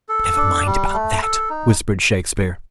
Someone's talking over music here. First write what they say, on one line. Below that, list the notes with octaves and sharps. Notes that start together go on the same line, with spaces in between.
"Never mind about that," whispered Shakespeare.
A4
D4
G3
A3
A4
D#4